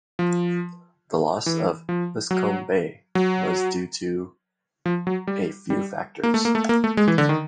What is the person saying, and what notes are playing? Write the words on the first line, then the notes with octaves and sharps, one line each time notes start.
The loss of the "Liscome Bay" was due to a few factors.
F3
E3
F3
F#3
F#3
F3
F#3
G3
G3
A#3
A3
A#3
A3
A#3
A3
G#3
E3
D3
D#3